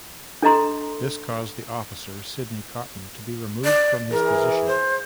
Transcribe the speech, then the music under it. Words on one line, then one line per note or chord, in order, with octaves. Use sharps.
This caused the officer Sidney Cotton to be removed from his position.
D4 A4 D#5 A#5 C6
D5
E3 G#4 A#4
C5